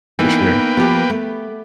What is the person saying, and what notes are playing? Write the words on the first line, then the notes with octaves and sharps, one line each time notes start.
For sure.
E3 A#3 B3 D#4 B4 G5
F3 B3 G4
A3